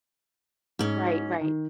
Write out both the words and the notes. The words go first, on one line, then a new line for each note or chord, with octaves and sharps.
Right, right.
G#2 C#4
D#3